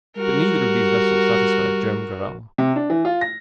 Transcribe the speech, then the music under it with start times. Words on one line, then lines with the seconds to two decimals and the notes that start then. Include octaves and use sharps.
But neither of these vessels satisfied Joam Garral.
0.17 G3 F#4 A#4
2.58 C3
2.76 D4
2.90 E3
3.05 F4
3.21 A#6